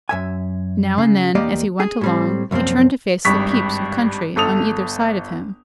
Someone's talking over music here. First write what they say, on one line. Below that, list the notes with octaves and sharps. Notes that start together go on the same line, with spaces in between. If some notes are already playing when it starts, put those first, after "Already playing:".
Now and then as he went along he turned to face the peeps of country on either side of him.
F#2 E5 G#5
C#3
E2 A#3 G4 D5 D#5
G#4
A2 G3 C4
C2 F#2 F3 A#3 C4
G#1 G2 C#6 B6
G1 A4 D#6 F7